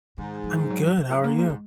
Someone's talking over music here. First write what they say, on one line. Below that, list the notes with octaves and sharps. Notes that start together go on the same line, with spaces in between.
I'm good. How are you?
G#2 D#3
F3
F#3
F#3
A#2
G#2
F#2 A#3
A#2
G#2
G#3